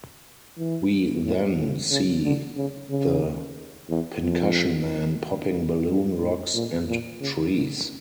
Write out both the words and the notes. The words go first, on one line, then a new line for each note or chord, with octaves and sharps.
We then see the Pincushion Man popping balloon rocks and trees.
E3
A2
A2
C#3
D3
C#3
C#3
E2
F2
G2
A2
A#2
A#2
C#3
A#2